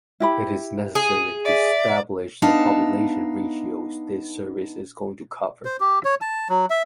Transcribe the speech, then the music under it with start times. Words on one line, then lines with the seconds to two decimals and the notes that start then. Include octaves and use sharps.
It is necessary to stablish the population ratios this service is going to cover.
0.20 E4 G4 B5
0.95 G#4
1.45 D5 E5
2.42 B3 D4 D#4 E5 F5 A5
5.65 C5
5.80 G4
6.05 C#5
6.22 A5
6.49 F#3
6.70 E5